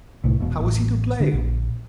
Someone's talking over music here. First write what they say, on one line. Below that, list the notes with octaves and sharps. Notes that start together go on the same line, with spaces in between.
How was he to blame?
C2 A2
E1 B2
A1
D3
A#1